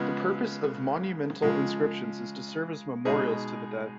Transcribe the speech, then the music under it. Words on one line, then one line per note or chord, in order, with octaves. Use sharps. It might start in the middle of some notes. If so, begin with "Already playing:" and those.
The purpose of monumental inscriptions is to serve as memorials to the dead.
Already playing: C#3 F3 G#3 B3
C#3 F3 G#3
B2 G#3 D#4 G#4